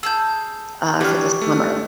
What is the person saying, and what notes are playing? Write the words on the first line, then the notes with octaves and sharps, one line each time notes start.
uh, for the summer.
G#4 A5 E6 G6
E3 D4 F#4 G4 F6
A3